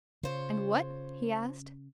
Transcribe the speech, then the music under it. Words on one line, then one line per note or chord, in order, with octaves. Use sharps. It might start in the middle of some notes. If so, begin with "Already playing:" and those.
"And what?" he asked.
C#3 F4 C5 C#5